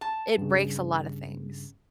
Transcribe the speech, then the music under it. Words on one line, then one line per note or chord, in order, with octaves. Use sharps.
it breaks a lot of things,
A5
G2 C#3